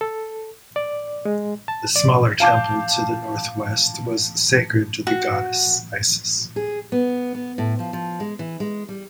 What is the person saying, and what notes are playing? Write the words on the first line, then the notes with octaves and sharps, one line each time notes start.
The smaller temple to the northwest was sacred to the goddess Isis.
A4
D5
G#3
A5
D5
F5 A5 D6 G6
F#4
G#4
B3
B3
A2
F3
F3
G#3
E3
G#3
G3